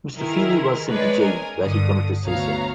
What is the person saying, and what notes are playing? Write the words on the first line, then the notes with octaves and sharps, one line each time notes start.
Mr. Feeny was sent to jail, where he committed suicide.
D#3 E4 G#4 A#4
G#3 C4 D4 B4 C#5 D5
A#4 G#5
G2 D3 D#6
D2 B3 C#5 F5 A#5